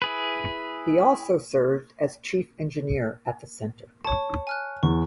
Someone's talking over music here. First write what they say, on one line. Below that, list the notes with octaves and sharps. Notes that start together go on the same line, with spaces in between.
He also served as chief engineer at the center.
E4 G#4 B4
C#5 A5 C#6
G#5 F6 F#6
E2 C#6